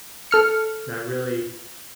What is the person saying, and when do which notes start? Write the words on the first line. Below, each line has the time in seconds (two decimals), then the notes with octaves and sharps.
that really,
0.31 A4 F6 C#7